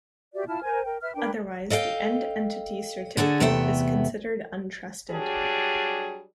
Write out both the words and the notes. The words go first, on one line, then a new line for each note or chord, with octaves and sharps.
Otherwise, the end-entity certificate is considered untrusted.
F#4 G4 D5 E5
E4 F4 A5 F6
A#4 C5 G#5
A#4 G5
B4 E5 F6
D4 A#4 B4 G5
A4 D#5 F5 G5
D3 F#4 G#4 A4
E2 C3 A3 B3 E5 G5
F#3 G3 D4 G#4